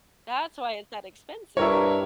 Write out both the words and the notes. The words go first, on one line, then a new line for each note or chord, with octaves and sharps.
that's why it's that expensive."
G2 E4 A#4 C#5